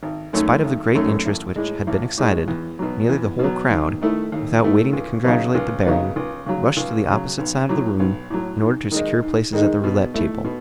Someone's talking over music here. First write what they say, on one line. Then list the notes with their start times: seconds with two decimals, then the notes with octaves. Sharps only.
In spite of the great interest which had been excited, nearly the whole crowd, without waiting to congratulate the baron, rushed to the opposite side of the room in order to secure places at the roulette table.
0.03 G#1
0.33 F#2 D#3 A3 C#4
0.64 G#1
0.95 F#2 D#3 A3 C#4
1.25 A1
1.56 A2 G#3
1.87 A1
2.17 A2 G#3
2.48 E2
2.79 B2 F#3
3.09 E2
3.39 B2 F#3
3.71 D#2
4.01 D#3 A3 E4
4.32 D#2
4.63 D#3 A3 E4
4.93 C#2
5.24 C#3 F#3 B3 D#4
5.55 C#2
5.85 C#3 F#3 B3 D#4
6.16 C#2
6.46 C#3 F#3
6.77 C#2
7.08 C#3 F#3
7.39 B1
7.69 A2 F#3
7.99 B1
8.30 A2 F#3
8.61 G#2
8.92 D#3 G#3 D#4
9.22 G#2
9.53 D#3 G#3 D#4
9.84 B2
10.14 A3 E4
10.45 B2